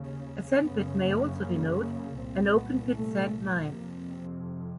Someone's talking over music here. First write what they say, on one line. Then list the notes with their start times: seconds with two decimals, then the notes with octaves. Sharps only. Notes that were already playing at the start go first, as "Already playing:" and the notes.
A "sandpit" may also denote an open pit sand mine.
Already playing: D#2 C#3
0.63 F#2 C#3 B3
1.01 A#3
1.39 A#3
1.78 A#3
2.17 C2 A#2 C4
2.56 B3
2.94 A3
3.71 F2 C3 A#3
4.10 C4